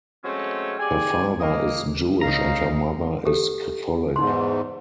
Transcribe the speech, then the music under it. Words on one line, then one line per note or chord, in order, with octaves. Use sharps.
Her father is Jewish and her mother is Catholic.
F#3 G#3 A3 C4 C#4
G4 G#4 D5 G#5
A#3 D#5
C#2 D#4 F5 A#5
G4 A4
E2 G#2 D#4 C6